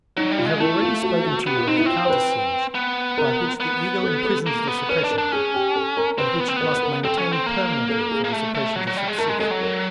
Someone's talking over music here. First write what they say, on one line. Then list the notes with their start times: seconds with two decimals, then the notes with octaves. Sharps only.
I have already spoken to you of the counter siege by which the ego imprisons the suppression and which it must maintain permanently for the suppression to subsist.
0.17 F#3 D#4
0.31 G3
0.38 F4
0.46 G#3
0.60 A3 E4
0.82 F4
1.03 F#4
1.24 F#4
1.46 B3 G4
1.57 F4
1.67 C4 D#4
1.77 B3 E4
1.86 C4 F4
2.05 C5
2.10 B4
2.75 B3
3.18 A#4
3.60 B3
4.03 A4
4.24 A4
4.46 A#3
4.67 B3
4.89 C#4 B4
5.04 D4
5.11 A#4
5.18 D4
5.32 C#4 G#4
5.54 G4
5.76 A4
5.97 A#4
6.18 C4 B4
6.40 B3
6.48 C4
6.56 B3 B4
6.75 B4
6.82 A#4
7.05 C4 A4
7.18 C#4
7.32 C4
7.46 A#3
7.89 A4
8.11 G#4
8.24 A#3
8.33 A3
8.55 A3
8.76 F#3
8.87 F#3
8.97 G3
9.08 G#3
9.18 A3 A#4
9.29 G#3
9.39 G#3 A4
9.51 F#3
9.61 A#4